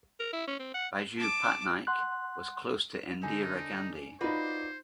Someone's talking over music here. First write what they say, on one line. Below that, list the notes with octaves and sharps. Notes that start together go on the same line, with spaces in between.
Biju Patnaik was close to Indira Gandhi.
A#4
E4
C#4
C4
F#5
A5 D6
F#5 C6 F#6
D3 D#4 G#5
D#4 F4 F#4 B4 C5 D5